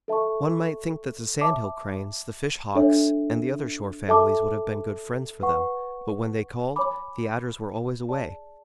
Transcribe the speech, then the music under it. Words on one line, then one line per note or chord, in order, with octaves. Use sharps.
One might think that the Sand-Hill Cranes, the Fish Hawks, and the other shore families would have been good friends for them, but when they called, the Adders were always away.
A4 E5 A5 C#6
C#5 E5 A5 D6
D4 A4 C#5 E5
A4 E5 A5 D6
B4 F#5 C#6
C#5 G#5 B5 D6
G#4 D5 A5